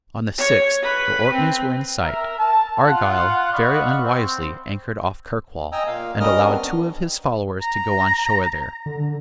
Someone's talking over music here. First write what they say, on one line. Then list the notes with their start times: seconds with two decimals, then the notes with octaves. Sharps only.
On the sixth the Orkneys were in sight. Argyle very unwisely anchored off Kirkwall, and allowed two of his followers to go on shore there.
0.38 C#5
0.82 B4
1.32 C4
2.03 A#4 E5
2.39 A5
2.84 F4 F#5
3.52 D5 D#5 F5 F#5 B5 C#6
4.01 C4
5.72 D#5 G5 G#5 A#5 D#6 E6
5.87 A#2 A#3 F5
6.20 G3 C#4 A#4 D#5 D#6 F6
6.45 B3 C4 D4
7.61 A#5
8.86 D3